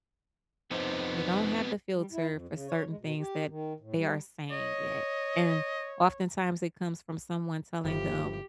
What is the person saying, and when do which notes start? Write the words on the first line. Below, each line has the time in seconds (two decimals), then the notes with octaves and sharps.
They don't have the filter for certain things that they are saying yet, and oftentimes, it comes from someone telling them,
0.71 F2 C3 B3 D#4 C5
1.94 G3
2.12 E4
2.30 F2
2.50 C#3
2.68 C#5
2.88 G#3
3.01 B2
3.18 G4
3.48 D#3
3.80 A2
3.94 G3
4.51 C#5 D#5
7.85 G1 F3 E4 G4